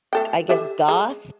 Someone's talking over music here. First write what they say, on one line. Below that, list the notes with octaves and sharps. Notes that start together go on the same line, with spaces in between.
k I guess, goth,
A3 A4 G5
G4 A4 E5
G#3 A4